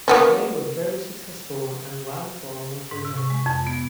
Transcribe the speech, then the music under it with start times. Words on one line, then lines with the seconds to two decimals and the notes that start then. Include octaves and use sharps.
The play was very successful and ran for almost a year.
0.08 A#3 B3 C#4
2.91 G#2
3.05 C3
3.17 C#6
3.30 G#3
3.46 F2
3.67 B3